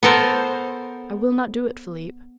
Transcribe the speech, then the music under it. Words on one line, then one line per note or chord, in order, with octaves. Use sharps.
"I will not do it, Philip."
B3 A4 A#4 C5